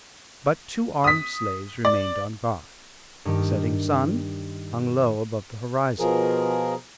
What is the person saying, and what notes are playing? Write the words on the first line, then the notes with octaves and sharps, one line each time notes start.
But two armed slaves remained on guard. The setting sun hung low above the horizon.
D#6 B6
D5
G2 D#3 G4
B2 F3 G#4 A#4